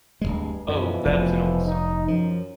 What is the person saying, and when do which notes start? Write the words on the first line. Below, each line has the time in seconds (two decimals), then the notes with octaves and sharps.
Oh, that is an old song!
0.21 D1 C2 G2 G#3
0.69 F#2 B2 E3 F3
1.05 F1
1.65 D#4
2.08 F#2 F3